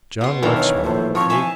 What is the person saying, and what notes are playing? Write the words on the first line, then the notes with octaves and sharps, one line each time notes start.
John Lexman--A.
B2 C6
B1 D#3 E3 D4 F5
C#5
A#1 A2 C5
F3 C4 C#5 C#6
E5 G#5 A5